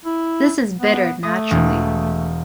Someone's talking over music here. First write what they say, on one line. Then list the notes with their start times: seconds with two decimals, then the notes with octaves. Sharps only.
This is bitter naturally.
0.05 E4
0.79 B3
1.23 A3 D#6
1.51 E1